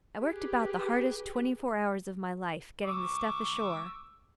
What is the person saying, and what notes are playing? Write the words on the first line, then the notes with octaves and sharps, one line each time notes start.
I worked about the hardest twenty-four hours of my life getting the stuff ashore.
G4 G#4 B4
C#6 D6 E6